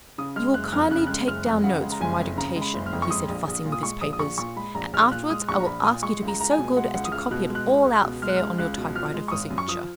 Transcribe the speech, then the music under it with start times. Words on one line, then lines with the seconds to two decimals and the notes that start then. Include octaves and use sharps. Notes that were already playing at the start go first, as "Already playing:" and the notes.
'You will kindly take down notes from my dictation,' he said, fussing with his papers; 'and afterwards, I will ask you to be so good as to copy it all out fair on your typewriter for signature.'
0.18 C#3 D#6
0.36 G#3 F6
0.54 F#1 F#6
0.68 F#6
0.72 F2 F6
0.90 C#3 F#6
0.98 F6
1.07 G#3 F#6
1.28 F#1 F6
1.46 F2
1.64 C#3 F#5
1.83 G#3
1.92 A#5
2.00 F#1 G#5
2.19 F2
2.37 C#3 A#5
2.56 G#3
2.61 B5
2.74 F#1
2.86 F6
2.93 F2
3.02 C#6
3.10 G#3 D#6
3.29 A#1
3.47 A#1
3.65 A#2
3.72 D#6
3.83 G#3 C#6
4.01 A#1 D#6
4.13 D#6
4.19 A#1 C#6
4.38 A#2 C#6
4.56 G#3 B5
4.75 A#1 A#5
4.93 A#1 F6
5.11 A#2 F#6
5.30 G#3 D#6
5.49 A#1 C#6
5.60 A#5
5.66 A#1 B5
5.84 A#2 D#6
6.03 G#3 C#6
6.22 C#2
6.28 A#5
6.40 C#2 A#5
6.52 G#5
6.58 B2
6.76 G#3 F#5
6.94 C#2 F#5
7.05 D#6
7.12 C#2 F6
7.31 B2 F#6
7.49 G#3
7.55 F#6
7.68 C#2
7.85 C#2
8.03 B2
8.22 G#3 F6
8.29 F#6
8.36 C#2 F6
8.58 C#2 F#6
8.78 B2
8.96 F3 F6
9.14 G#3
9.28 C#6
9.31 G#1 D#6
9.50 F#2
9.58 C#6
9.68 F3 D#6